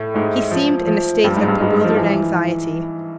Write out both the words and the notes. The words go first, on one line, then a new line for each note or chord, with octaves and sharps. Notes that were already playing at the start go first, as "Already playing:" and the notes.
He seemed in a state of bewildered anxiety.
Already playing: A2 A3
G#2 G#3
F3
F3
G2 G3
G#2 G#3
G2 G3
G#2 G#3
F3
E3